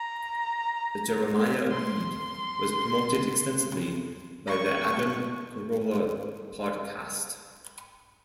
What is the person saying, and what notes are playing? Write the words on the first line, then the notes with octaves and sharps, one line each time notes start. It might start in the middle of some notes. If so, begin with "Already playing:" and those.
Jeremiah Weed was promoted extensively by The Adam Carolla Podcast.
Already playing: A#5
C6
C#6